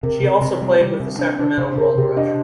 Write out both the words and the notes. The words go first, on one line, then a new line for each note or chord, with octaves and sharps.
She also played with the Sacramento Gold Rush.
C3 A#4
C3
C3
G3
G3
C3
D4
D4
C3 C5
C3 A#4
C3 G4
D4 D#5